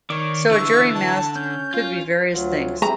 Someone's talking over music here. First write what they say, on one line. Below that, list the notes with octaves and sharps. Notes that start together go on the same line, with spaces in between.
So a jury mast could be various things.
D#3 C#5 D5
D3 E3 E5 C#6
A5
C#4 G6
F4
D2 F#3 F4
A3 C4 G4 A#5